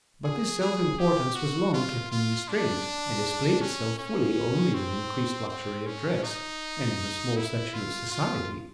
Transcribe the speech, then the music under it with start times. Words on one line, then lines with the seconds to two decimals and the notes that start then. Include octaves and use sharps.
But this self-importance was long kept in restraint, and displayed itself fully only with increased luxury of dress and in a small section of society.
0.24 G#4
0.61 G#4
0.99 G4
1.35 F#4
1.74 F4
2.11 F4
2.48 D4
3.61 C#4
3.99 C#4
4.74 C4
5.49 C4
5.86 C#4
6.23 D#4
7.37 E4
7.74 F4
8.12 F4